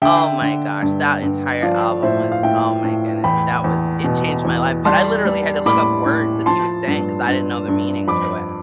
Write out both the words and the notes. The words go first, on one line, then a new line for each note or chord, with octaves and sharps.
Oh my gosh, that entire album was, oh my goodness, that was it changed my life, but I literally had to look up words that he was saying, 'cause I didn't know the meaning to it.
D3 E5 G5
D3
G2
G2
F3 D5 F5
A2 C5 E5
F5
A2 E5 G5
A2
E2 G5 B5
E2
B2
E2
G3 A5 C6
G3
A2 B5 D6
A2
F3 A5 C6
G2
G2
G2
F2 B5 D6